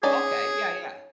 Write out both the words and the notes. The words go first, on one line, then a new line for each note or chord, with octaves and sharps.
Okay, yeah, yeah.
C#4 D#4 G#4 D5